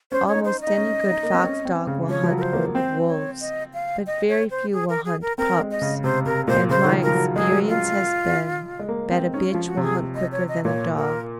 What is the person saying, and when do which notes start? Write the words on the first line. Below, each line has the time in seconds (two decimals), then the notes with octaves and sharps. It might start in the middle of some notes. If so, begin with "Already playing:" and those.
Almost any good fox dog will hunt old wolves, but very few will hunt pups, and my experience has been that a bitch will hunt quicker than a dog.
0.12 C#4 C5
0.28 C#5
0.34 D#4
0.45 C5
0.61 D#5
0.67 D#4
0.77 C#4
1.11 D#4
1.23 A#3
1.34 C4
1.44 C#4
1.65 C4
1.87 C#3
2.09 F3 C#5
2.23 F3
2.31 F#3
2.38 A#4
2.42 C5
2.53 A#3
2.75 C4 C5
3.07 C#5
3.40 D#5
3.74 F5
4.07 D#5
4.28 C#5
4.50 C5
4.73 G#4
4.89 A#4
5.05 G#4
5.21 A#4
5.38 C4 A#4
5.60 G#3
5.71 D#5
5.82 C#3
6.04 C3 C5
6.26 C3 A#4
6.48 A#2 C5
6.69 C#3 C5
6.85 D#3
6.92 F3
7.03 F3 A#4
7.14 F#3
7.36 G#3 G#4
7.43 F#3
7.51 G#3
7.69 F4
8.79 G#3
8.89 A#3
9.11 C4
9.33 C#4 D#4
9.49 F3 F4
9.66 F#4
9.77 C3
9.82 G#4
10.15 D#5
10.32 C#5
10.48 D#5
10.64 A#2 C#5
10.97 A#4